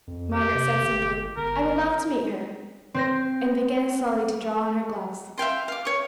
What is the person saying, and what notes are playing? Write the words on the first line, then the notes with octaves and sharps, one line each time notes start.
Margaret said simply, "I would love to meet her," and began slowly to draw on her gloves.
F2
G4
C3
G1
G1 A#4
C4 C5 A#6
E5 F5 G5 C6
F5 D6
C#5 C#6